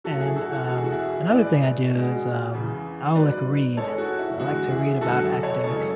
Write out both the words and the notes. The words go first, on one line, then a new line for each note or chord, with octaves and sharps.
and, um, another thing I do is, um, I'll, like, read. So, I like to read about academic
A2 F#3 F#4 A4
E4 G#4
F#4 A4
F#4
E2 B2 G#3 A4
G#4
F#4
E4 G#4
A2 G#3 B4 D5
B2 G#3
E2 C#3 E3
G#2 F#3 B4 D5
G#2 G#3 A4 C#5
F#4
E4
E2 D3 G#3 F#4
E4 G#4
F#2 D3 G#3 F#4 A4
A4 C#5
F#2 C#3 E3 G#3 A4 C#5